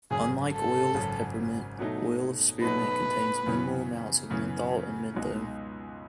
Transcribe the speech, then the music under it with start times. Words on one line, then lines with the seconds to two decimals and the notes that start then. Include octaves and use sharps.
Unlike oil of peppermint, oil of spearmint contains minimal amounts of menthol and menthone.
0.11 G#1 F#2 C#3 G#4
0.53 A4
0.94 G#1 F#2 C#3
1.78 B2 F#3 A3 D#4
2.62 B2 F#3 A3 D#4 B4
3.46 F#2 C#3 E3 B3
4.30 F#2 C#3 E3 B3
5.14 C#2 B2 G#3 D#4